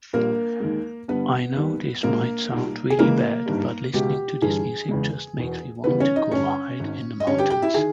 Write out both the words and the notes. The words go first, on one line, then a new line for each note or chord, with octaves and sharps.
I know this might sound really bad, but listening to this music just makes me want to go hide in the mountains.
A#1 A#2 G3 A#3 A#4
D#2 D#3 G#3
G1 G2 G3 B3 B4
D#2 D#3 G3
A#1 A#2 G#3 A#3 A#4
B1 A#2 G3
G#4
C#2 C#3 E3 G#3 A#3 A#4
G#1 G2 G3
C#2 B2 G#3 G4
G1 G2 E3 G3 G#4
E2 C#3 G#3
E1 E2 B2
D#2 C#3 E3 G3 B3 B4
C#4 C#5
D#4 D#5
G1 G2 G3 C#4 C#5
G#1 G#2 D#3
D#5
G1 G2 G3 C#4 C#5
G4 G5
G4 G5
E4 E5
D#3 G#4 G#5